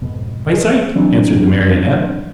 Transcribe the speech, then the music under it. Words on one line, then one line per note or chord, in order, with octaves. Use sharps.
"By sight!" answered the Marionette.
F2 G#2 B2
G#4
E3 F#3 G3 C4 D4 D#4